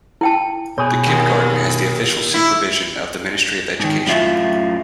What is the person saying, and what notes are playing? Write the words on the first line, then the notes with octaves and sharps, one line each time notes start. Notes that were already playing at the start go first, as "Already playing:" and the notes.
The kindergarten has the official supervision of the Ministry of Education.
E4 G5 A5
B2 G#4 C#5
D#2
E4
G#2 D#3
F#2 A2 F4 E5